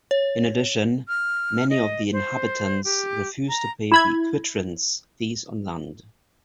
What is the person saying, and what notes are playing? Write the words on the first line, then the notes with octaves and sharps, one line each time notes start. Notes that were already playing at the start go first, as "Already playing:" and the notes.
In addition, many of the inhabitants refused to pay the quitrents, fees on land.
C#5
F6
D#5
C5
G4
A#5
E4 B5 G#6